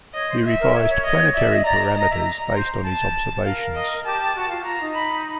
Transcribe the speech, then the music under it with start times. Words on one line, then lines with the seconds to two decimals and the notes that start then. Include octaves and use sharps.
He revised planetary parameters based on his observations.
0.14 C#5 D#5
0.29 C5
0.45 E5
0.60 A#4
0.74 C#5
0.89 C#5
1.04 D#5
1.34 D5 E5
1.50 D#5
1.64 D5 A#5
1.80 D5
1.94 D#5 A#5
2.10 E5
2.54 C5
2.85 A5
3.44 A#4 F5
3.75 D#5
4.04 G4 A5
4.35 F#4
4.49 F4
4.65 F4 A#5
4.79 D#4
4.95 B5